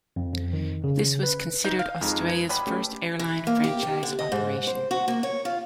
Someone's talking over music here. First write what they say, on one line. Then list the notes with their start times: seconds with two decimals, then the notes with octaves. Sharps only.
This was considered Australia’s first airline franchise operation.
0.16 F2
0.34 F2
0.53 D#3
0.84 C#3
1.23 B4
1.65 D#4
1.79 F5
2.01 F2 G#3 D#4 A#4
2.28 B4 G#6
2.49 B2 G3 B5
2.67 A3 C#4 G4
3.19 E3
3.47 A#3
3.64 G4
3.83 G4
4.03 D3
4.19 D#5
4.32 G#2
4.67 C5
4.91 F#4
5.08 A#3
5.23 C#5
5.45 F4